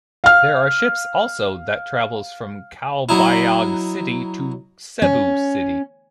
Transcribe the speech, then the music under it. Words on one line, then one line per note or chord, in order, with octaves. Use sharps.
There are ships also that travels from Calbayog City to Cebu City.
F5 F6
F#3 D#4 E4
C#4